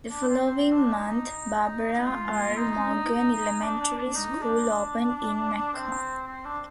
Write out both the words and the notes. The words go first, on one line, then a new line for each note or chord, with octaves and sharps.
The following month Barbara R. Morgan Elementary School opened in McCall.
D4
C4
C4
D4
D#4
D#4
F4
D#4
D4
D4
D4
D#4
D4
C4
C4
D4